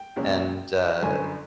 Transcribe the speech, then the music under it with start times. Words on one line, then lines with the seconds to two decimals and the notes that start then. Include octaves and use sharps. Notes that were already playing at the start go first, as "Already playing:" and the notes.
And, uh
Already playing: G5
0.16 C#2 B2 F#3 A#3 C#4
1.02 G1 F#2 D3 G#5